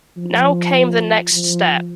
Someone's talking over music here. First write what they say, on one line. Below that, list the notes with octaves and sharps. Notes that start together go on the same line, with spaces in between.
Now came the next step.
F3
F3